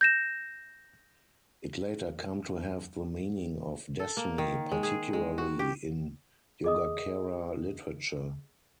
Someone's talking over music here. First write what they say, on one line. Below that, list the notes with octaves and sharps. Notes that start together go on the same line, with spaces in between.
It later came to have the meaning of "destiny", particularly in Yogacara literature.
G6 A#6 E7
A4
A#3
D#3
G#3
G#4
G#3
F#4
G4
G#4 D#5 D#6